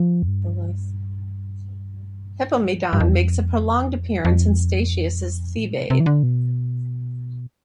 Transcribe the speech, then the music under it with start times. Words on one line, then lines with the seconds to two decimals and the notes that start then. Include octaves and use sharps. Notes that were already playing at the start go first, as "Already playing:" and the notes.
Hippomedon makes a prolonged appearance in Statius' "Thebaid".
Already playing: F3
0.23 F2
0.28 G2
2.93 G2
3.00 F2
3.07 E2
3.15 F2
4.25 F2
5.58 A2
5.73 C3
5.90 C3
6.00 E3
6.06 D3
6.23 B2